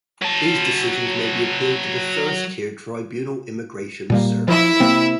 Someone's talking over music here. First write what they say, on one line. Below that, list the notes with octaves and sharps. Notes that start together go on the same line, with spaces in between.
These decisions may be appealed to the First-tier Tribunal Immigration Services.
F#3 A5
A#2 G3 A#3
F3 E4 E5
C3 A#3 C4